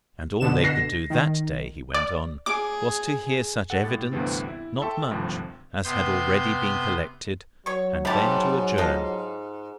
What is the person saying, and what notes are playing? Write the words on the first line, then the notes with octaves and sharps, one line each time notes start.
And all they could do that day, he went on, was to hear such evidence--not much--as had already been collected, and then to adjourn.
B2 D3 E7
A#6 C7
D#3
D5
G#4 D6
A4 F#5
A2 G4 A6
D2 G2 C3 E3 B3 C4
E4
A4 E5 G5 A5 C6 C#6
G#1 D2 G2 C3 F3
C3 B3 C6 G6
F#3 C#5 C#6
G#2 A3 G4 A5 B5
F4 A4 D#5 F5